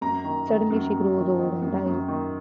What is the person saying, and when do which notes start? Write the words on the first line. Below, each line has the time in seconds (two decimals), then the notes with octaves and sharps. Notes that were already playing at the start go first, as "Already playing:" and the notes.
Suddenly she grows old and dies.
0.01 F#2 A#5
0.24 D#3
0.48 D#3
0.70 F#2
0.94 F#2
1.16 D#3
1.39 D#3
1.62 F#2
1.86 F#2
2.08 D#3